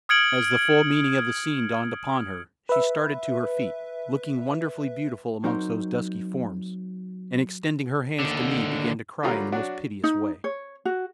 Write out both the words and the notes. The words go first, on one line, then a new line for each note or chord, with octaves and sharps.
As the full meaning of the scene dawned upon her she started to her feet, looking wonderfully beautiful amongst those dusky forms, and extending her hands to me began to cry in the most piteous way.
D#6 F6 G#6 C#7 D7 F#7
B4 E5
F#3 C4 D#4 A#4 C5
D#2 D3
D3 F#3 G3 F4 A#4
F#3 D4 F#4
D#4
C#5
F#4